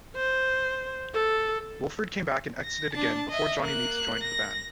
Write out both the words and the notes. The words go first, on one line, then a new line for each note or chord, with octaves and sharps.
Williford came back and exited again before Johnny Meeks joined the band.
C5
A4
A#6
D4 A5
D#5 E5
A#3 F#6
A#6